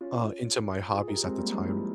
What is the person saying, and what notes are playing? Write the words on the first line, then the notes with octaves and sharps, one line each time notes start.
uh, into my hobbies at the time.
C#4 F4
F4 G#4
G4 A#4
G#3 C4
G3 A#3
F3 G#3
E3 G3